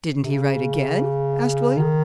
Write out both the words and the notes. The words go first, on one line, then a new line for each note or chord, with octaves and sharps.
"Didn't he write again?" asked William.
C3
C#3
D#3